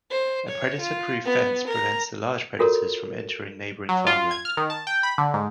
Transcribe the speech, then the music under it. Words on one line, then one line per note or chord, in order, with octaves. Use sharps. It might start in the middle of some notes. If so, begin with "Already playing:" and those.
A predator-proof fence prevents the large predators from entering neighboring farmland.
C5
C#5
F4
B3
A#4 A#5
F4 F#4 A4 A#4 C#5
F#3
F4
G#6
F6
D#3
A5
G5
B5
D3
G#2